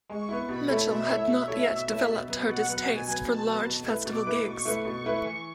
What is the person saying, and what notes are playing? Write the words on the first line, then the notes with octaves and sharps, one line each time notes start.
Mitchell had not yet developed her distaste for large festival gigs.
G#3 C#6
B3 E4
B2 B5
A3 E4 A4 C#5
B2 E5
A3 E4 A4 C#5
B2
A3 E4 A4 C#5
B2
A3 E4 A4 C#5
B2
F#3 B3
B2 F#5
F#3 B3
B2 G#5
F#3 B3
B2 A5
F#3
B3
B2
A3 E4 B4
B2 D6
A3 E4 B4
B2 C#6
A3 E4 B4
B2 C#6
A3 E4 B4
E3